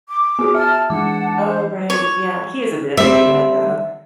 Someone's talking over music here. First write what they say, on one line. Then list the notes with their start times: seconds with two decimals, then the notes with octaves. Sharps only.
Oh, right yeah, he is a bit of a meathead, though.
0.08 D6
0.39 B3 F#4 G#4
0.55 E5 A5 E6 F6
0.90 E3 G#3 D4 F#5 A5 D6
1.45 C5
1.90 C#5
2.97 G3 C4 E5